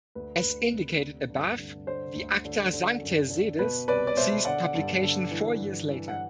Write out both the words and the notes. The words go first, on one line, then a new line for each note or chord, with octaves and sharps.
As indicated above, the "Acta Sanctae Sedis" ceased publication four years later.
D2 B4
B4
D2
C3
D3
G2
D3
D3 C5
D2
D3
D3
F#2
D3
B2 B4
C2 B4 D5
D5
B2 C5 E5
D3 D5 F#5
G2
D3
E3
G2
E3
F#5